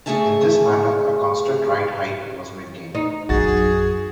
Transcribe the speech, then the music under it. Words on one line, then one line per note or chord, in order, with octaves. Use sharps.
In this manner, a constant ride height was maintained.
C#3 A3 G#4 E5 G#5 A5
D#4
A#1 F#2 F#4 G#4 A6